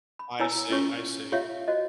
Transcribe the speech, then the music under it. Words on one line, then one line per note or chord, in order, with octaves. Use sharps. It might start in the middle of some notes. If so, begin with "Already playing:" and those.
I see I see.
B5
E4 B4 C#5 G#5 A#5 E6
C#4 F4 B4 C#5 C#6
F4 G4 C#5 E5 F5
F#4 C5 D#5